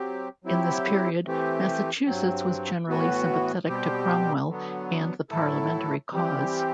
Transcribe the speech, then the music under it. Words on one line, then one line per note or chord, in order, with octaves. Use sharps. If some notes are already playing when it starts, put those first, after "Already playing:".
In this period, Massachusetts was generally sympathetic to Cromwell and the Parliamentary cause.
Already playing: F#3 C4 G4
F#3 C4 E4 G4
E3 A3 C4 G4
G2 F#3 C4
A2 E3 B3 F#4
B2 G3 C4 G4
D3 F#3 B3
A2 F#3 A3 E4 A4
E3 G3 C4 G4